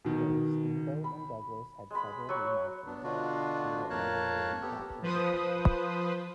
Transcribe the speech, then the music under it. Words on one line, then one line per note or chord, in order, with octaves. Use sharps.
Though Steamboat and Douglas had several rematches, they were unable to recapture the titles.
B2 D#3
B5
G#3 B5
F#3 C#6
B3 D4
B2 D3 D4 F4 F#4
F2 A#3 A#4 C#5 A5 F#6
B3 G4 A4
F3 B4 C5 D#6